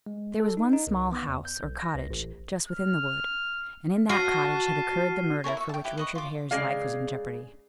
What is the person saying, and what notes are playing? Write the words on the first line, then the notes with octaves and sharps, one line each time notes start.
There was one small house, or cottage, just within the wood, and in that cottage had occurred the murder for which Richard Hare's life was in jeopardy.
G#3
A4
D#4
D#4
C2
B3
E2
G6
B1
A#6
C#2
A1
F6
F#4 A5 F6 C7 D#7
E4 A4 A#4 C#5
E5 C#6
G5 A5
E4 G4 B4
B4 D#5 C#6
F4 D6
C#3 G#3 G#4 D5 F5